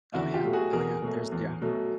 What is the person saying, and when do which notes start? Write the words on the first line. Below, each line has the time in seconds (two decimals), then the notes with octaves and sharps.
Oh, yeah. Oh, yeah. There's Yeah.
0.14 E2 E4 F#4
0.34 F4 G4
0.44 B2 F#3 A3
0.53 F#4 G#4
0.73 E2 G#4 A#4
1.02 B2 F#3 A3
1.32 E2
1.62 B2 F#3 A3